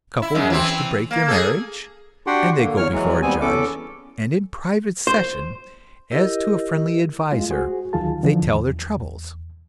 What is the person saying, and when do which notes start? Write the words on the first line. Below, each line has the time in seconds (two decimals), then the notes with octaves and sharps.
A couple wish to break their marriage, and they go before a judge, and in private session, as to a friendly adviser, they tell their troubles.
0.22 E4
0.35 F#2 G#3
0.50 E3 C4
1.11 A#3
1.28 G#4 A4
2.27 D4 F#4 G4 F#5 G5 C6
2.57 D3 A#3
2.77 E2 C#5 F6
2.92 E3 F#3 G#3
3.22 D#2 G3 B3 C4 G#5
3.41 E2 B3 C#4 A4 D6
5.07 C5
6.11 E4 G4 A#4 D#5
7.32 G#3 F4
7.51 F#4 G#4 C5
7.93 D2 D#3 F#3 F4 G#4 A5
8.23 D3 E3 F3
8.43 E2